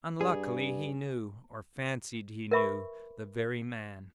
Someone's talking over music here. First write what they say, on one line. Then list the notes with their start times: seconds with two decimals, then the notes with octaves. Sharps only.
Unluckily he knew, or fancied he knew, the very man.
0.21 G2 G#4
2.51 A#4 B4 E5 B5 C#6